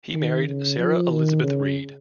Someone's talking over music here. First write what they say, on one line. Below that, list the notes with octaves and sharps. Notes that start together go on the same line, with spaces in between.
He married Sarah Elizabeth Reed.
D#3
C#3
F3
D#3
C#3